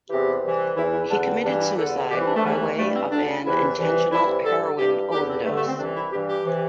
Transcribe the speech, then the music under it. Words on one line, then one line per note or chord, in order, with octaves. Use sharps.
He committed suicide by way of an intentional heroin overdose.
E2 C3 E3 G4
C2 C3 E3
E2 E3 E4
E4
E2 D3 D4
C4
G2 E3 D4
E4
E2 D3 A4
C2 C3 E3 G4
E4
D4
A3
E2 C3 E3 G3
A3
G2 E3 A3
C4
D2 D3 D4
E2 C3 E3 E4
C2 C3 E3
C2 C3 E3 E4
G2 D3 A4
G2 E3 G4
E2 D3 G4
C4
G2 D3 A3
A3
C4
C2 C3 E3 D4
E4
G2 E3 G4
G4
C3 E3